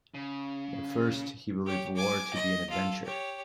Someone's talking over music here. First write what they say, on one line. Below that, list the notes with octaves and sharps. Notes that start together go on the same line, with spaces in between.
At first he believed war to be an adventure.
C#3
G4 C#5
G#5 D6
D#5
F4 A4
G4 C#5